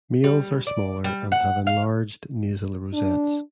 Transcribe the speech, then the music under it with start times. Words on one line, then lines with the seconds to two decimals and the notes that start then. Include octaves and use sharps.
Males are smaller and have enlarged nasal rosettes.
0.24 G3
0.67 D5
1.04 G3
1.32 F#5
1.67 F5
2.94 D4